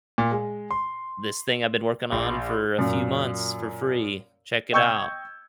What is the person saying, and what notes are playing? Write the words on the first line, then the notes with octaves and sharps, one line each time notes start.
this thing I've been working on for a few months for free, check it out."
A#2
G#3
C6
A#1
F#2 A#2
D#5 G5 C#6 E6 G6 G#6